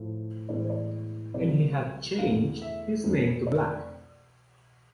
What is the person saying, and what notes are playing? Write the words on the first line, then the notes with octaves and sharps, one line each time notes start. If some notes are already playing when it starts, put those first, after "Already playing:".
And he had changed his name to Black.
Already playing: A2 F3 A3
A2 E3 G#3 B3 D5
C5
D5
C2 C3 F3 G#3 D5
E2 D3 A3 E4 F5
E5
F2 D3 A3 D4
D5